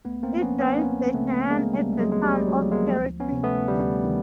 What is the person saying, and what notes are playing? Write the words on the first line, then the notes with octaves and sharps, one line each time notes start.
It joins the Cheyenne at the town of Cherry Creek.
C#2 A3 B3
A#3 C4
F3 B3 C#4
B3 C#4
C#2 A#3 C4
C#3 A3 B3
C#2 G#3 A#3
G3 A3
C#2
A3
F#3 G#3
G#3
C#2 G3
F#3
F3
G#3 A#3
D2
B3 C#4
C3
A3 B3
D2 G3
D#3